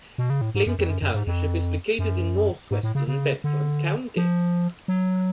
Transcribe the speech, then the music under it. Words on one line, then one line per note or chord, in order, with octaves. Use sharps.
Lincoln Township is located in northwestern Bedford County.
B2
C#3
A2
G#2
F#2
F2
F#2
F#2
G#2
F2
F#2
G#2
A2
C#3
C#3
D3
F3
F#3